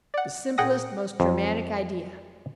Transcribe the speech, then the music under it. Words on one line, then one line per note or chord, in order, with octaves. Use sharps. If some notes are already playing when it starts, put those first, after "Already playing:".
The simplest, most dramatic idea.
D5 F#5
A#2 G#4 F#5 G5 D#6 A#6
F2